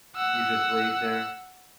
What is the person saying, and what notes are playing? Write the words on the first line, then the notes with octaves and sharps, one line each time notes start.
You just laid there?
F#5 E6